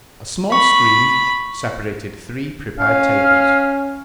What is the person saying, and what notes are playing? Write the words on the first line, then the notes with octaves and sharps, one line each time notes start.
A small screen separated three prepared tables.
B5 C#6
C#4 F5